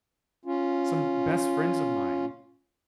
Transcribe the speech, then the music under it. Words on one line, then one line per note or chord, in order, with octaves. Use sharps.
some best friends of mine,
C#4 F4